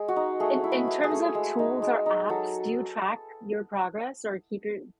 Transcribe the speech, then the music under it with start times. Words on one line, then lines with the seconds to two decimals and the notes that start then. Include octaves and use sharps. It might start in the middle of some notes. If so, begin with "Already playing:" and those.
in in terms of tools or apps, do you track your progress or keep your
Already playing: G#3 G#4
0.08 F#4
0.16 D#4
0.40 A3 G#4
0.64 E4
0.72 B4
0.87 E4
1.04 G#4
1.11 A3
1.35 G#3
1.59 D#4
1.82 G#3
2.06 D#4
2.29 F#3 A4